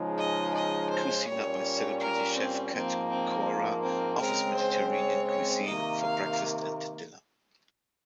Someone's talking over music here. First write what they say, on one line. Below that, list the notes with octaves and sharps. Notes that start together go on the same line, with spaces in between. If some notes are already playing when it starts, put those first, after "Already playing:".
Kouzzina by celebrity chef Cat Cora offers Mediterranean cuisine for breakfast and dinner.
Already playing: C#3 F3 G#3 D#4
D#5
D#5
C5
A#2 G3 C#4 C#5
A#4
C4
G#2 F3 A#3 C4
C4
C4
C#3 G#3 C4 A#4
C5
C#5
C#5
C3 D#3 A#3 D#5
F5